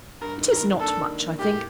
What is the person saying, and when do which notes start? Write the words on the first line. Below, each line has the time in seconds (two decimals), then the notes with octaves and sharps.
'It is not much, I think.
0.21 G2 A#4
0.41 D#3
0.50 A#4
0.61 A#3
0.80 D4 A4
1.00 D#3
1.20 A#3
1.39 A2 G4